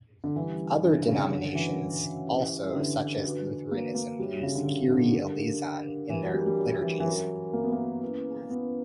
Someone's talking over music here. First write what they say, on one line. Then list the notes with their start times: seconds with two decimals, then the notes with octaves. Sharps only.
Other denominations also, such as Lutheranism, use "Kyrie, eleison" in their liturgies.
0.24 D3
0.36 E3 G3 C#4 E4 G4
0.84 D3
0.96 D3
1.08 C#3
1.19 C#3
1.31 D3 C#4 F#4 C#5 F#5
1.55 E3
2.27 C#4 E4 G4 B4 E5
2.75 D3
3.23 D4 F#4 B4
3.71 A#3
3.94 A#3
4.19 G3 D4 F#4 C#5 E5
4.43 C#3
4.55 D3
4.67 C#3
4.91 D3
5.15 D4 G4 A#4
6.10 E3 D4 G4 A#4
6.22 F#3
6.34 G3
6.46 G3
6.59 F#3
6.82 E3
7.00 E3
7.06 F#3 C#4 F#4 A#4 E5
7.53 A#3
7.64 B3
7.72 A#3
8.02 C#4 E4 B4
8.50 B3